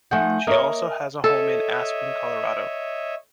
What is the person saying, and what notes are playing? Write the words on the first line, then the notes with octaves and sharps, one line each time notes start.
She also has a home in Aspen, Colorado.
F3 A3 D#4 E5 F#5 G#5 G6
A#3 A#4 C#5 D#5 E5 D#6
A4 C#5 D#5 E5